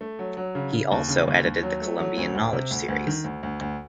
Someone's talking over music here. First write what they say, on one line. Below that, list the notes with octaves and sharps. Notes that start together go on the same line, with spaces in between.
He also edited the Columbian Knowledge Series.
A3
F#3
F#3
C#3
C#3
D#2
C#3
D#2
D#2
F#3
A3
F#3
D2
D2
C3
D2
D2
D#3
D2
D2
D2